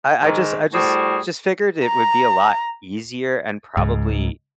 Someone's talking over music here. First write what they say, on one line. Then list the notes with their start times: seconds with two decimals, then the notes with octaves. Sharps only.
I I just I just just figured it would be a lot easier and, probably,
0.22 G#2 D#3
0.73 A2 G3 F#4 G#4 C5
1.86 A#5
3.77 C#2 G#2